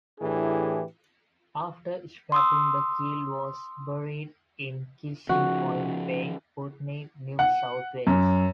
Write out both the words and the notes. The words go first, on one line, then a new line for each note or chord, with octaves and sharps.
After scrapping, the keel was buried in Kissing Point Bay, Putney, New South Wales.
A2 E3 D4 E4 G4 G#4
C6 D#6 E6
C#3 F3 F#4
F#5
F#2